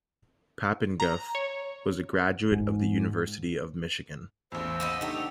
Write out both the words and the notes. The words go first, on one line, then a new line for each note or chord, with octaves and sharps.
Papenguth was a graduate of the University of Michigan.
A#5
C#5
G#2
A1 E2 C5 E6
A#3 B3 D#4
D3 A3 D#4 G4 A5
F#5 F7